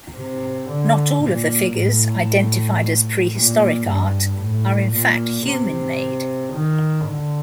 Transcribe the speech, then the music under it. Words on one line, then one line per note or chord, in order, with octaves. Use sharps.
Not all of the figures identified as prehistoric art are in fact human made.
C3
D3
A#2
A2
A#2
G2
A2
A#2
C3
D#3
D3